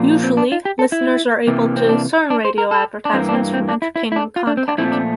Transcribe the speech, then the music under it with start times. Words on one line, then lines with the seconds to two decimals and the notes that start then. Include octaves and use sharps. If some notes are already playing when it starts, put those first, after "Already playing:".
Usually, listeners are able to discern radio advertisements from entertainment content.
Already playing: A#2 F3 A#3
0.24 C4
0.37 D4
0.52 F4
0.65 G4
0.79 A4
0.92 E4
1.47 C3 E3 A#3
1.76 C4
1.89 D4
2.30 D4
2.45 C5
2.58 A#4
2.71 A4
3.05 D4
3.13 G2 E3 A#3 C4
3.29 D4
3.33 C4
3.54 C4
3.69 D4
3.82 E4
3.96 E4
4.12 E4
4.16 D4
4.36 F4
4.47 D4
4.57 C4
4.68 D4
4.78 A#2 F3 A3 C4 E4
4.92 D4